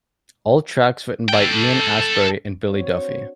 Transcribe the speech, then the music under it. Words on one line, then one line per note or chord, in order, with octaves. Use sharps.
All tracks written by Ian Astbury and Billy Duffy.
A4 G5
C4 D4 F#4 C#5